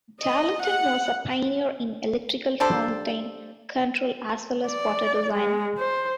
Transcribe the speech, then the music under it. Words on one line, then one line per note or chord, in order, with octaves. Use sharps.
Darlington was a pioneer in electrical fountain control as well as water design.
D#5
F#5
G3 D4 A4 C5
D5
G#3
C5